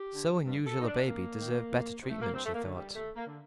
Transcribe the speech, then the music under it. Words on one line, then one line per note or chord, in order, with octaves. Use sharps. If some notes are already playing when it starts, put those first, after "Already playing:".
So unusual a baby deserved better treatment, she thought.
Already playing: G4
D3
G2
A4
D3 D#4
D4
F2 A#3
D#3
F2
C3 D#3
A3
A#3
G2 C4
A3
A#3
D3
G3
D#2 A3
A#3
D3